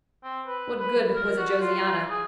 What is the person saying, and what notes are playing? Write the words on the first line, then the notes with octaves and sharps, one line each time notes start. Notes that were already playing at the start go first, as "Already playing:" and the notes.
What good was a Josiana?
C4
B4
B4
A#4
F#4
F4
G#4